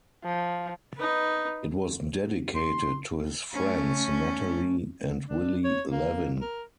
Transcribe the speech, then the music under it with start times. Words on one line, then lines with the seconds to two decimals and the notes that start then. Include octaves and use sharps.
It was dedicated to his friends Natalie and Willy Levin.
0.24 F3
0.96 D#4 B4
2.56 C6
3.54 A3 C#4
5.29 D4
5.64 C#5
5.92 A#3
6.41 A#4